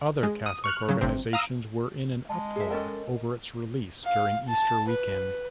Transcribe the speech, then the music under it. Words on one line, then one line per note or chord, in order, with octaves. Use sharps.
Other Catholic organizations were in an uproar over its release during Easter weekend.
G#3
D#6
C#6 F6 F#6
C#3 F#3
G1 C3 C4
F5 A#5 D#6 E6
G#3 D#5 A5
G#4 E5
C#4 A4 A#4 D#5 G5
F5
A5
B4